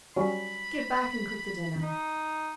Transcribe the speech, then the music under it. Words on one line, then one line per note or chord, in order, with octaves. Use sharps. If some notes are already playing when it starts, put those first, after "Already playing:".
Get back and cook the dinner.
F#3 G3 C#4 B5
D#4